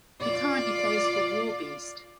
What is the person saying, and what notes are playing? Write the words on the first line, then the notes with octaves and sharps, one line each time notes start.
He currently plays for Warbeast.
F4 D5